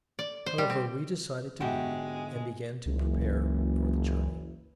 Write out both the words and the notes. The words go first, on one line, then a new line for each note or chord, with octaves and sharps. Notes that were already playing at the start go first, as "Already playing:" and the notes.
However, we decided to move, and began to prepare for the journey.
D5
C5
G3
C4
G#2 D3 G#3 B3 F#4 G4 E5
F#1 C#2 E3